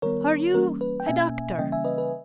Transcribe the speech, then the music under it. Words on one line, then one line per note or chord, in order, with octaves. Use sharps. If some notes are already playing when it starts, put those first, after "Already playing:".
"Are you a doctor?"
D#3 G3 B3 A#4 C#5
E3 G3 A#3 C#4 A#4
B4
G5
B2 A#3 C#4 E5 G#5
C#3 E3 G3 A#3 C#4 D#5 G5
E5 G#5
B4 D#5
B4